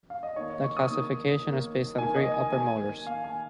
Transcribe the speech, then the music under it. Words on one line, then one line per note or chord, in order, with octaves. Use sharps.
The classification is based on three upper molars.
F5
D#5
D#3 A#3 C#5
D#5
C#6
D#6
D#3 A#3
D#3 A#3
D#3 A#3 G#5
D#5
G#5
D#3 A#3 G#5
D#3 A#3 F5
G#5